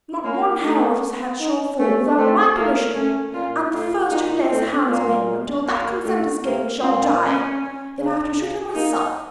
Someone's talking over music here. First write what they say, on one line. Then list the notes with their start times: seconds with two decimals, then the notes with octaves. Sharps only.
Not one hair of his head shall fall without my permission; and the first who lays hands on him until that consent is given, shall die, if I have to shoot him myself!
0.24 A#3 C#4
0.62 A3 D#4
1.40 D#4
1.79 A3 C#4
2.18 A3 C4
2.56 A3 A#3
2.94 A3 C#4
3.34 A#2 F4
3.72 A2 F4
4.11 A#2 D#4
4.50 A2 C4
4.89 A#2 A#3
5.66 A#3
6.04 A2 A3
6.43 C3 A#3
6.81 A#2 C4
7.21 C#4
7.98 C#3
8.37 C#3
8.75 A#3 D#4